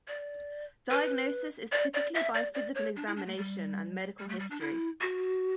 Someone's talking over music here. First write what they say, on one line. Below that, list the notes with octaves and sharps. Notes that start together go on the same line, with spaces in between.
Diagnosis is typically by physical examination and medical history.
D5
B4
D5
D5
E5
D5
D5
C#5
D4
E4
D4
A3
G3
G3
A3
G3
D4
E4
F#4